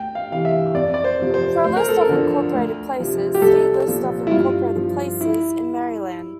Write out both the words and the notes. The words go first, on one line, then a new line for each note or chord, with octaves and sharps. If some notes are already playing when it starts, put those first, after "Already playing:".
For a list of incorporated places, see List of incorporated places in Maryland.
Already playing: D2 G5
F5
C3 E3 F5
E5
F2 D5
D5
C5
C3 F3
C5
D2 C5
A#4
A4
A#4
D3 F3
D2
C3 F3
G4
C2 A4
A#2 F3
E4
G2 F4
F3
E4